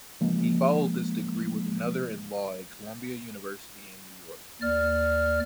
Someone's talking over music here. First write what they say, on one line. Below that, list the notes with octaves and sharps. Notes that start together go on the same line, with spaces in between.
He followed this degree with another in law at Columbia University in New York.
C#3 E3 F3 G#3 A#3
D#2 D5 F6